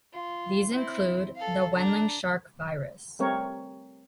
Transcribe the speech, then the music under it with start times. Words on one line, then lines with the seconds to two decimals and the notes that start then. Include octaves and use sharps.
These include the Wenling shark virus.
0.13 F4
0.69 C4 E4
1.36 A4 F5
1.74 D4 A#5
3.19 G3 A3 C4 A#4 C#5